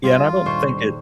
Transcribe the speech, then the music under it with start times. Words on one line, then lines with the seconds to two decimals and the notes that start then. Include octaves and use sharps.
Yeah, and I don't think it
0.04 G2 F4
0.46 D#1 C5 C#6